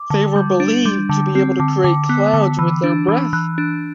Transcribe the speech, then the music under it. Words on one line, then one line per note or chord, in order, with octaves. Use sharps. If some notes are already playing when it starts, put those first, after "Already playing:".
They were believed to be able to create clouds with their breath.
Already playing: D6
D3
G3
D4
G3
D3
C4
D3
D3 D6
B3
D3
E3
D4
E3
E3 F#6
D4